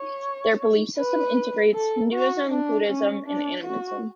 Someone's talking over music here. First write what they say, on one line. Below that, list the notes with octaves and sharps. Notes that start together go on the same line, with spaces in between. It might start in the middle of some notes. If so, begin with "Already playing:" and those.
Their belief system integrates Hinduism, Buddhism and animism.
Already playing: C#5
B4
A4
F#4
D4
C#4
D4
F#4